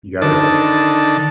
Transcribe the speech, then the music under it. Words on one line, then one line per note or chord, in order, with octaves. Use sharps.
you got it right,
D3 D#3 A5